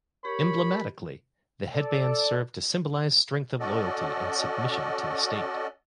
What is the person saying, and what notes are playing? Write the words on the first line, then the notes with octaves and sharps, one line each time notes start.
Emblematically, the headbands served to symbolize strength of loyalty and submission to the state.
G4 A#4 C#5 B5
A4 D5
C#4 F#4 A4 D5 D#5